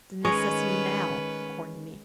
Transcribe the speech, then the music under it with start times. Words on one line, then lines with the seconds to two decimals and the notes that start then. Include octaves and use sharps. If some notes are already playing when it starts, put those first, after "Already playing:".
It's a necessity now, according to me.
0.25 D#3 G#3 C#4 B4 C#5 D#5